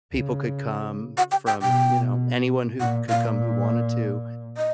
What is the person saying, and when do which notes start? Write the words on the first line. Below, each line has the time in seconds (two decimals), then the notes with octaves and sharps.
people could come from, you know, anyone who could come who wanted to
0.14 C#3
1.18 F#5
1.32 G5
1.47 G5
1.62 B2 G5
2.80 A#2 F#5
3.09 A#2 F5
4.57 D#5